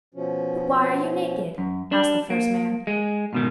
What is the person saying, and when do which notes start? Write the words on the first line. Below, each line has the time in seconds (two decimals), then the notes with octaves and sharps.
'But why are you naked?' asked the first man.
0.14 B2 F3 C#4
1.58 F#2
1.92 D4
2.30 A#3
2.87 G#3
3.33 G#2 B2 D#3